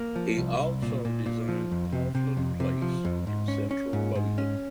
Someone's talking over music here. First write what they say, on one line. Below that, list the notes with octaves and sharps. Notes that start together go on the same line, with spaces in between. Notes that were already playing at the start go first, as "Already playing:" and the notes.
He also designed Portland Place in central London.
Already playing: A#3
F3
C2
C2
A#2
A#2
A#2
F3
F2
C3
C3
F2
C3
F3
F2
G#2
C#4
C#4
G#2
G#2
C#4